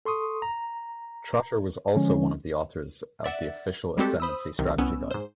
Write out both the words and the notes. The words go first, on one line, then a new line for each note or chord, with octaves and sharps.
Trotter was also one of the authors of the official Ascendancy strategy guide.
A4 C6 C#6 D#6
A#5
D3 F3 G#3 C#4
D5 E5 F#5 A6
G3 G#3 C4 F#4 G4 A4
C5 B5 D#6 E6
C2 C3 D#3
C2 B3 C#4 E6
G#2 C5